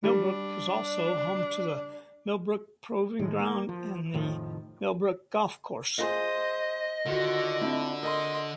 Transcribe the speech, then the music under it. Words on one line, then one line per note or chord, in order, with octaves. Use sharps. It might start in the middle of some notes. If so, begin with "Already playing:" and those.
Millbrook is also home to the Millbrook Proving Ground and The Millbrook Golf Club.
G3 D4
A2 D#3 G#3
A#3
F3
F1 A2 D#3 F3
F4 G#4 C5 D#5
D3 D#3 F4 F#4
C4 D4 E4
A#4 D#5 C6